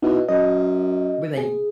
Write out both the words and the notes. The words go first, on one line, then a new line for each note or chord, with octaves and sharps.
when they
B2 D#4 E4
F#2 D#5
G#4